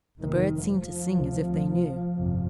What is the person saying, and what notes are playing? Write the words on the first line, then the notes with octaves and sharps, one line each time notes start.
"The birds seem to sing as if they knew."
F1 D#2 D#3
F3
D2 C3
G1 F2 C3